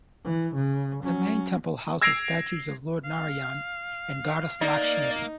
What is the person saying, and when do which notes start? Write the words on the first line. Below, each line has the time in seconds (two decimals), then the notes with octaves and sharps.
The main temple houses statues of Lord Narayan and Goddess Lakshmi.
0.25 E3
0.55 C#3
1.03 F#3 C#4
2.02 E6 G#6 A#6 C7 D7 F7
3.04 F5
4.61 A#3 D#4 D5